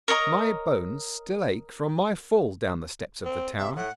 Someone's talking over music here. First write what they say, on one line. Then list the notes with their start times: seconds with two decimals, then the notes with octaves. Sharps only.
My bones still ache from my fall down the steps of the tower.
0.08 A#4 C#5 D#5 A#5
3.25 C4
3.58 C3 E5
3.76 A2 F#5